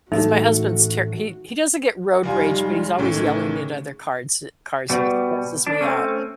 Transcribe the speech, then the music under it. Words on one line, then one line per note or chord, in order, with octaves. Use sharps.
'Cause my husband's ter he he doesn't get road rage, but he's always yelling at other cards uh, cars, and it stresses me out.
A2 E3 A3 D#4 F#4
F1 G3 D#4 F4 G#5
G#3
B1 A2 D#3 A3 C#4 D#4
C#3
B2 G3
D4
A3 C4 C#4